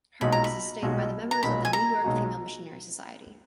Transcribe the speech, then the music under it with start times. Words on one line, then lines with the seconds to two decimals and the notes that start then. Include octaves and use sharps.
Her work was sustained by the members of the New York Female Missionary Society.
0.21 B1 A#2 G#3 D#4 F#4 B5
0.32 A#5
0.44 B5
0.82 B1 A#2 G#3 D#4 F#4
1.31 A#5
1.43 B1 A#2 G#3 D#4 F#4 B5
1.65 G#5
1.73 A#5
2.04 B1 A#2 G#3 D#4 F#4